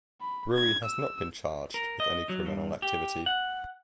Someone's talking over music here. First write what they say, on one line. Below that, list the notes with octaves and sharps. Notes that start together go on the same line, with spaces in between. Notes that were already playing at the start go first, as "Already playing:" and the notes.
Ruiz has not been charged with any criminal activity.
B5
G#6
E6
A#4
D#5
F#3
G2
G4
F#5